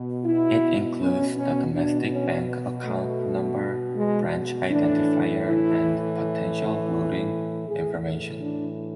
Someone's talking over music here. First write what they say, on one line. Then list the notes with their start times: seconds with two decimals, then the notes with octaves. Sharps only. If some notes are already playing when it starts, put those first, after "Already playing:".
It includes the domestic bank account number, branch identifier, and potential routing information.
Already playing: B2
0.24 E4
0.99 C#4
1.37 C#4
1.73 B2 D4
2.11 C#4
2.48 B3
2.85 A3
3.97 G#3
4.70 A2 E3 D4
5.44 E4
7.66 A2 E3 G#4
8.41 D4